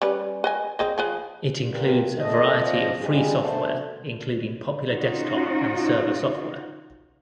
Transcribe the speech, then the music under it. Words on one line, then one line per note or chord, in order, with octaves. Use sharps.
It includes a variety of free software, including popular desktop and server software.
G3 C#4 B4
B4 D#5 G#5
C4 G#4 D#5
F3 G#4 B4
G2 A#2 G4 A#4 B4
E2 G2 A3 D#5
F3 C4 D5 D#5
F3 G3 G#3 D4 G#4
F#2 B2 A3 D4 C5
C#4 D#4 F4 F#4